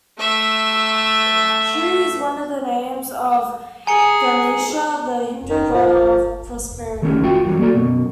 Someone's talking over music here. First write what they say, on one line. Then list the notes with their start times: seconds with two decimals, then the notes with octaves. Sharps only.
"Shri" is one of the names of Ganesha, the Hindu god of prosperity.
0.19 A3 E5
3.87 G#4 G#5 A#5 C#7
5.50 D#3
5.74 F3
7.02 D#3 A3 C#4 E4 A#4
7.23 F4 F#4 E5 G5
7.45 F#2 E3 F#3 G3
7.59 A#3 F#4 A4 D5
7.74 F#2 B2